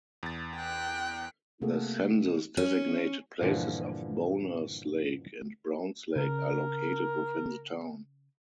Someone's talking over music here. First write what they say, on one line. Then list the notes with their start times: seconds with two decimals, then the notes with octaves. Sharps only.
The census-designated places of Bohners Lake, and Browns Lake are located within the town.
0.23 E2 A6
0.56 G5 F#6
1.61 C3 A3 A#3 F#4 G#4 A4
2.57 C#4
3.41 G2 A#2 D3 E3 F3
6.16 C#3 A#4